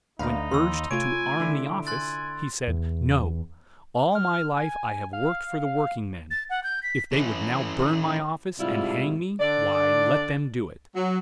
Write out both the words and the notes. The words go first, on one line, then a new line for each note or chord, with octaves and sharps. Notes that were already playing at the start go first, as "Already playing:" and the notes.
When urged to arm the office, he said, "No; all my life I have worked for the workingmen; if they would now burn my office and hang me, why, let them do it."
D2 D#4 F5 A#5 B5
D#2 C6 E6
C3 A3 F4 C#5 G#5 D7
D3 E4
G#5 C6 F#6 A6
E2
F6
G#5
F5
A6
F#5
G6
B6
E3 C#4
G#2 C3 G3 E4 F4
D3 D4 D5
F#3